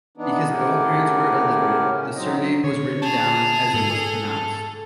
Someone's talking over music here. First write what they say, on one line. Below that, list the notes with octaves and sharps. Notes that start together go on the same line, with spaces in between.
Because both parents were illiterate, the surname was written down as it was pronounced.
E3 B3 D4 D#4
A2 C#3 G4 A#4 F#5 G#5
C#4
F#3 C4 D#4 D#5
D3 C#5
G#4 A5 F7
G#2 A4